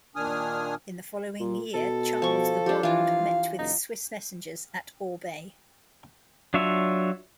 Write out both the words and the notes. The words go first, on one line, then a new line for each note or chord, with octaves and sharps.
In the following year, Charles the Bold met with Swiss messengers at Orbe.
A#2 D#3 D4 G#5 D#6 F6
A#2
B2 A4
F3 C#6
F3 D4 G4
E3 F4 F5
F#1 D#4
F#3 D4 F4 C#5 E5